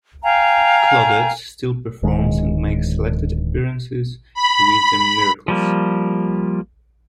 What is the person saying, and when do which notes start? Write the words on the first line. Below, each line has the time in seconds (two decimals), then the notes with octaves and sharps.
Claudette still performs and makes selected appearances with the Miracles.
0.23 F5 G5 G#5 A#5
2.03 D1 D#3 G#3
4.34 B5
5.48 F3 G3 A#3